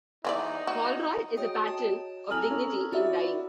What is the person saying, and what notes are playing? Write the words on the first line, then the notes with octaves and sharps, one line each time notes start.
Holroyd is a patron of Dignity in Dying.
E3 D#4 F4 D5
F#4
F#4 G#4 C#5 D#5 G5 D#6
A5
C4 A4 G#5 A#5 D#6 F6 F#7
C#4 A#4
E4 F#4 D5 E5 E6